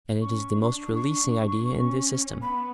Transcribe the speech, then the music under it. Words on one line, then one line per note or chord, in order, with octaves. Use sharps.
And it is the most releasing idea in the system.
C#4 C#6
D4
C#6
C#4
B3 B5